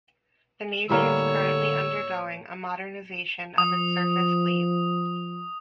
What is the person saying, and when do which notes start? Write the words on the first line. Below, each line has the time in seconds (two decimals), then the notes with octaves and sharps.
The navy is currently undergoing a modernization of its surface fleet.
0.89 A2 D3 G3 A#3 C#5 E6
3.58 F3 D#6